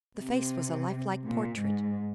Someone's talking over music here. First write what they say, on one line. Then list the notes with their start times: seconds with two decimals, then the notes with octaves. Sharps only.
The face was a lifelike portrait.
0.18 C3
1.23 A#2
1.59 G#2